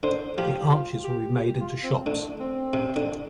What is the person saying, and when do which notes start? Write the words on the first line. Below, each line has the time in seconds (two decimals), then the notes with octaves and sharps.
The arches will be made into shops.
0.03 D3 C5
0.38 F3 G4
0.72 F4
1.04 G4
1.38 G4
1.61 F4
1.84 C4
2.06 D3 A3
2.40 C4
2.73 C3
2.96 D3